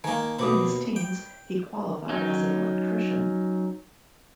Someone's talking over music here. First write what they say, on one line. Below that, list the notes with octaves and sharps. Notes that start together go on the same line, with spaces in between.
In his teens, he qualified as an electrician.
D#3 A#3 G#5
D#2 B2 B5 D6 D#6
G5
F#3 C#4 D#4